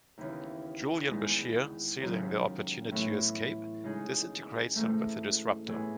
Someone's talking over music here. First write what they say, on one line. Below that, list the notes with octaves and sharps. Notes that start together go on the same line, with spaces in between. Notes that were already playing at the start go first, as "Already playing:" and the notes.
Julian Bashir, seizing the opportunity to escape, disintegrates him with a disruptor.
D#2 C#3 E3 B3
E2 D#3 G#3 B3
D#2 C#3 F#3
A2 E3 B3
C#3 G#3 D#4 G#4
G#2 E3 A3
A2 E3 B3 E4 G#4